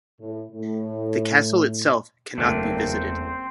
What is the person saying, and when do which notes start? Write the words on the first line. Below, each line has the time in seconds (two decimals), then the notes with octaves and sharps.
The castle itself cannot be visited.
0.19 A2
0.51 A2
2.38 F#1 E2 A3 A#3 C4 D4 C5